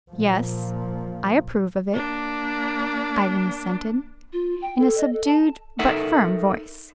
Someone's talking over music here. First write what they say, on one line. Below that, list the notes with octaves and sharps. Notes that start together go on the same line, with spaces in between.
"Yes, I approve of it," Ivan assented, in a subdued but firm voice.
A#2 F3
A#3 D4
F4
G5
A4
D#5
A4
A5
D#4 A4 A#4 E5 F#5